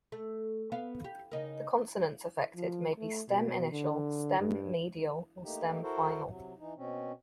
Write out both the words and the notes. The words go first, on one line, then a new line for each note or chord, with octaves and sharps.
The consonants affected may be stem-initial, stem-medial, or stem-final.
A3
B3 F5
G4
C#3 D#4 A#4
F3
A3
B2
D3
G2
A3 A#3 D#4 G4
E4 F#4 A4 A#4 C5
C3 F#3
E3 D#4
B2 C4 C#4